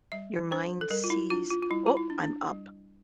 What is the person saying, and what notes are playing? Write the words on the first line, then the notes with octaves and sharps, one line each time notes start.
your mind sees, "Oh, I'm up."
G3 E5
D4 C5
A4
G3 A#4
F4
E4
D4 F4
F4
F4
G3 E4
F4
E4
D4
D4
G3